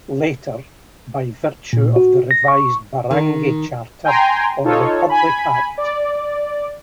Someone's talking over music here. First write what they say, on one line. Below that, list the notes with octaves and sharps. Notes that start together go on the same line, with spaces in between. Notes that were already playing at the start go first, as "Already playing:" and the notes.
Later, by virtue of the revised Barangay Charter or Republic Act.
A#2
F#4
A#6
C#6
D#3
G5 G#5 A#5 C6
D#4 F4 A4 C#5
G#5 B5
D5